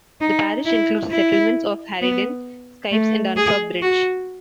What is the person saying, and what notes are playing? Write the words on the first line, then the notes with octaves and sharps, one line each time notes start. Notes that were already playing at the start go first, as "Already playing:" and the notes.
The parish includes the settlements of Hareden, Sykes, and Dunsop Bridge.
D#4
E4
E4
B3
A3
G#4
F#4